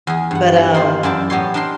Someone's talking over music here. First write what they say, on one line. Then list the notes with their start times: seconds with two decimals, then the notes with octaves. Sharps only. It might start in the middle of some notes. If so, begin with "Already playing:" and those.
but, um
0.07 E2 G#4
0.31 G2 F#5
0.74 A#3 F4 C5
1.03 F#2 E3 E4 A#4 D5 A5
1.30 A2 B3 G4 C#5 C6
1.54 D4 D#4 A#4 G5 C6